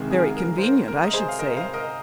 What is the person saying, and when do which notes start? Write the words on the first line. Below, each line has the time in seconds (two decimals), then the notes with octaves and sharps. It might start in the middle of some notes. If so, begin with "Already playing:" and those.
'Very convenient, I should say.'
Already playing: C2 C3 D#3 G#3 G#4
0.11 G#4
0.19 A#4
0.25 G#4
0.37 A#4
0.58 C5
0.62 A#4
0.88 A#4
1.03 D#5
1.14 G#4 C5
1.28 F5
1.39 A#4 D#5
1.56 C5 F5
1.73 A#4 D#5